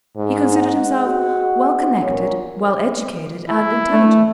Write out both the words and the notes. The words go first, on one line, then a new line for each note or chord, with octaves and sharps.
He considered himself well connected, well educated and intelligent.
G#2
G#4 D#5 F#5
F#4
A#1 A#2 C#5
E4
A3